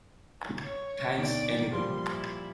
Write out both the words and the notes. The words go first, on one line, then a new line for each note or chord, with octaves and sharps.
Thanks anyway.
C#5
D2 B2 D#3 D5 G5
A#2 F3 G3 C6
E4